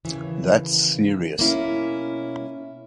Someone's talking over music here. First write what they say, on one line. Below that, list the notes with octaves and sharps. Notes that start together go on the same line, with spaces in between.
That’s serious.
D#2 C#3 E3
B2 A#3 C#4 E4